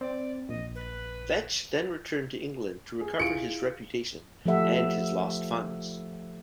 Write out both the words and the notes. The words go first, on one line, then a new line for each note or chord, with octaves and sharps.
Vetch then returned to England to recover his reputation and his lost funds.
C4 D5
A#1 D#5
B4
G#4
E4 F4 G#4 C#7 D7
F3 A3 G4 A4 E5 F#5